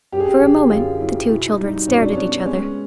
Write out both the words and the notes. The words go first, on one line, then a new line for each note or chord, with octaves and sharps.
For a moment the two children stared at each other.
F#2 G4
G#4
G4
G#4
D3 G4
F#2 F4
F#3 E4
B2 E4
D#4
G3
D#4
B2 C#4
D4
B3 C#4
G#3 C#4